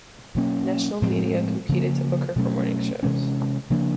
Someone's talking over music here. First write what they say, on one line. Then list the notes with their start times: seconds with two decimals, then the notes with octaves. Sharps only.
National media competed to book her for morning shows.
0.35 B2 F#3 A#3 C#4
1.02 A2 F3 G#3 C4
1.69 C#3 F3 A#3
2.36 B2 F#3 A3 C#4
3.03 C3 E3 G#3 C#4
3.70 C#3 F3 A#3 D4